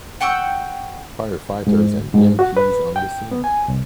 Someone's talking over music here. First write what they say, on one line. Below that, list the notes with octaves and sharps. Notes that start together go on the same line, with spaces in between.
Firefighters and EMT s on the scene.
F#5 G5 C#6 E6
G#2
G#2
F#4
B4
G5
B3
G#5
C2